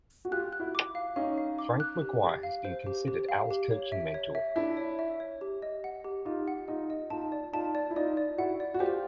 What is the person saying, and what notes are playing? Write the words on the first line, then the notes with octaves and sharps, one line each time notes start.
Frank McGuire has been considered Al's coaching mentor.
F#4
F4 G4 F#6
F#6
E4 F#4
D6
F5
C#4 D#4 F5
F5
D6
F#6
G4
G4
F5
C5
G4
G4
F5
G4
C#5
E5
C#5
E5
D4 E4 E5
C#5
E5
C#5
G4
D#5
F#5
G4
D#4 F4 G4
F#5
D#4 F4 D#5
D#5
D#4 F4 A5
D5
D#4 F4 A5
D5
E4
D#4 F4 D5
D5
E4 F#4 F#5
D5
F#4
F4 G4 C5